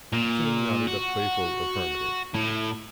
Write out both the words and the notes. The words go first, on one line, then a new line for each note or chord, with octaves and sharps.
The king nodded a playful affirmative.
A#2
F#4
A2